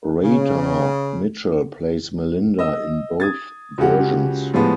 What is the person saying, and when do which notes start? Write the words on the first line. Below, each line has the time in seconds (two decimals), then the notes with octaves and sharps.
Radha Mitchell plays Melinda in both versions.
0.23 C#3
2.59 D#5 E6
3.20 D#6 G#6 A6
3.78 C#2 C#3 F#4 G4 F#5
4.54 A2 F3 G#3 B3 G4